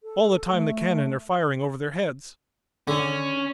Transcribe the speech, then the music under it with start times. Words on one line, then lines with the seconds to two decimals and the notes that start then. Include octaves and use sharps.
All the time the cannon are firing over their heads.
0.03 A4
0.51 A3
2.88 D3 C#4